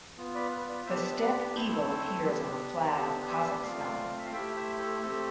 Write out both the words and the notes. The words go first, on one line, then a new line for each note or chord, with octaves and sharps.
The Steppe Eagle appears on the flag of Kazakhstan.
B3 F4
B4 D5
B4
B4 D5
B3 D4 G4 C5 E5
B4 D5
A3 C4 E4 A4 C5
B3 D4 G4
B3 D4 G4 A4 C5
C5 E5
A3 C4 F4 D5 F5
E5
F5
A3 E4 G4 E5 G5
C5 E5
A4 C5
A3 C4 G4 A4 C5